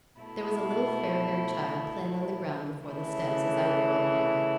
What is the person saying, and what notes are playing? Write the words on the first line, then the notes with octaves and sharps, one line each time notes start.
There was a little fair-haired child playing on the ground before the steps as I whirled by.
B2 A3 E4
C#3 E3 A3 E4